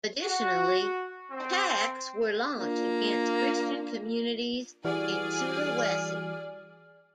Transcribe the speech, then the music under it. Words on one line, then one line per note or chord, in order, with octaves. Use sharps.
Additionally, attacks were launched against Christian communities in Sulawesi.
F#4
C4
A#3 D4 F4
E3 G3 F#4 G#4 D5 F6